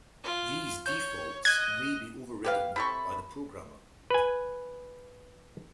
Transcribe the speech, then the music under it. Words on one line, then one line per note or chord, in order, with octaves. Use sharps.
These defaults may be overridden by the programmer.
F4
C#5 G6
D#5 F#6 G#6
G4 B4 F5
C3 A4 B5 C#6
B4 G#5